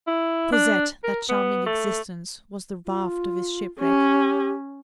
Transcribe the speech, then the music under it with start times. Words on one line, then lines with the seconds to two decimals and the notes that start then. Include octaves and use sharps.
Cosette, that charming existence, was the raft of this shipwreck.
0.07 E4
0.52 D4
1.04 A#4
1.29 B3
1.66 A3
2.86 F4
3.80 C#4 G4